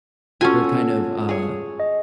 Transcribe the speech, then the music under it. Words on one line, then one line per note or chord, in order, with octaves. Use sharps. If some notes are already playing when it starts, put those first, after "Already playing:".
you're kind of, uh,
C#4 F4 F#4 A4 G#5
G#4 C#5
D#5